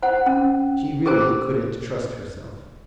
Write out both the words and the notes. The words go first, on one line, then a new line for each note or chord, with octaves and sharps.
She really couldn't trust herself.
C5 F#5
C#4
G4 G#4 A#4 C5